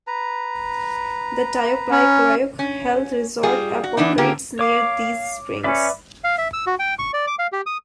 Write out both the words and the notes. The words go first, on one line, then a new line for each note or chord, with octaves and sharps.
The Tyoply Klyuch Health Resort operates near these springs.
B4 A#5
C#4
C#4
G3 F4 G#4
F#4
E3 B3 D4 D#4
D3 A#3 F4 G4 G#4
C#5 F5 D6
C#4 B4 D5 E5
F5
E5
E6
F#4
G5
C#6
D5
D6
F5
G4
D#6